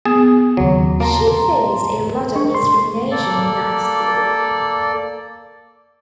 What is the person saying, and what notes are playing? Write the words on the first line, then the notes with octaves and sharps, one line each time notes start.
She faced a lot of discrimination in art school.
B3 G#4
D#2 C#3 F#3
A#3 A5 A#5 C6
D4 A#4 C5 C#6
C6
A#3 A4 D5